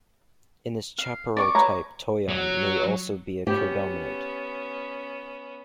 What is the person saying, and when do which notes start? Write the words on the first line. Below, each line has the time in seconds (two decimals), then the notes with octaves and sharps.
In this chaparral type toyon may also be a co-dominant.
0.98 F5
1.37 D5 C#6 D6
1.55 B4 C#5 A#5
2.29 F#3
3.47 B3 C#4 G4